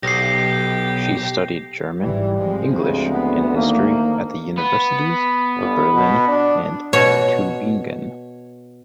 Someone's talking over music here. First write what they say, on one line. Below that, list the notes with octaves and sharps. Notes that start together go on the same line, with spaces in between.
She studied German, English and History at the Universities of Berlin and Tübingen.
B1 G4 A#6 C7
G1 G#2 E3 G3
F3 G#3 C4
D2 C#3
B3
D#3 A3 A#3
B3
G1
B2
D4
B2 C#5